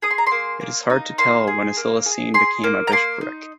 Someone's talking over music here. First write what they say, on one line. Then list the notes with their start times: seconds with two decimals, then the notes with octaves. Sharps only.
It is hard to tell when Acilisene became a bishopric.
0.02 G#4 D#6
0.11 C6
0.18 A#5
0.27 A#3 C6
0.61 A#3
0.90 D#4
1.18 A#3 C6
1.47 G#4
1.77 A#3
2.06 G#4
2.34 G#4 C6
2.64 A#3
2.87 A#5
2.92 A#3 C6
3.21 D#4